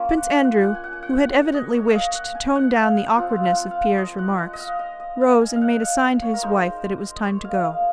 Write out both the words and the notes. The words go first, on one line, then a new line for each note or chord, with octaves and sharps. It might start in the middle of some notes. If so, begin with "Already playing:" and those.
Prince Andrew, who had evidently wished to tone down the awkwardness of Pierre's remarks, rose and made a sign to his wife that it was time to go.
Already playing: A#3 C#4 F4
F#5
F#5
G#5
F#5
G#5
F#5
G#5
F#5
D#5
C#5
F5
D#5
F#5
G#5
F#5
F5
F#5
F3 C4 F4 F#5
F5
F#5
F5
D#5
F#5
F#5
D#5
F5
D#5
D#5
F5
G#5
F5
F#5
F5
C#5
A#4
G#3 D#4 C5
D#5
C#5
F5
F5